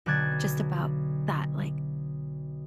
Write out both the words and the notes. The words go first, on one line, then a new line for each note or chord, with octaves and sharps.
just about that, like
B1 D3 D6 F#6 G#6 A6